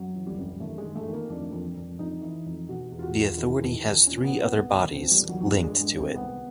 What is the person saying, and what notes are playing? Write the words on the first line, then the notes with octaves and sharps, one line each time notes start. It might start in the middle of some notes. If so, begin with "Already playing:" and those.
The authority has three other bodies linked to it.
Already playing: F#2 F#3
E3
G3
F#2
D#3 A3
G#3
D#3
A3
D#3
A#3
F2 D4
F2
F2
F2 D#4
E3
F2
B2 F#4
E2
F4
F#4
E2
F4
D#3 E4
D#2
D#3
A#2 C#4
B3
A#2
B3
C2
D#3
C4
D#2
G3
D#3
F#3
F#3
G2 G3
G2 G#3
G#3
D#3
C4
C2 B3